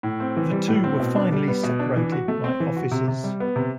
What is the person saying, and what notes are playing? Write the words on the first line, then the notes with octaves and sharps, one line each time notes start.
The two were finally separated by officers.
A2
C4
E3
G3
A2
C4
B2
D4
G3
B3
B2
D4
E3
F#4
A3
C4
E3
F#4
C3
C3
G3
B3
C3